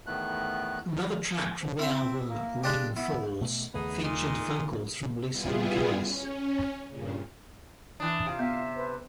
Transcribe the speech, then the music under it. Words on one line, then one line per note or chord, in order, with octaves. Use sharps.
Another track from the album, "Rain Falls", featured vocals from Lisa Michaelis.
E2 A2 D#3 A3 B3 F#6
F3
C4 E4 E5
A#3
C#3 G#3 D4 G4
B3 E4
B2 A3
D#2 C#3 A3 B3 D#4 G#4
A#2 G#3 D#4
G3 B3 E4 F4 G#4
C#4
G2 A#2 C#3
E3 D4 D#6
C3 F4 F5
B3 E5
A4 B4 C5